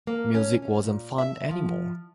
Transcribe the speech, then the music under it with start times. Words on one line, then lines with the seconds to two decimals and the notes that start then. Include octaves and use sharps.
Music wasn't fun any more.
0.07 A#3
0.35 C#4
0.62 C#4
0.83 A#2
1.18 E5
1.51 F3